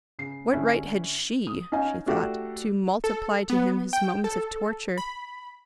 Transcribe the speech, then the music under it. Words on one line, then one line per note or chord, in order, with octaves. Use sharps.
What right had SHE, she thought, to multiply to him his moments of torture?
C#3 C7
D3 C#4 E4
D#6
C#4 D#4 D#5 F5 G#5
A3 D4 E4 F#4 G4 A4
A4
B3
G5
A4
B5